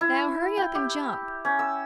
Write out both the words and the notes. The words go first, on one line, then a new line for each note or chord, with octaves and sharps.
Now, hurry up and jump.
E4
G5
G4
C#4
E6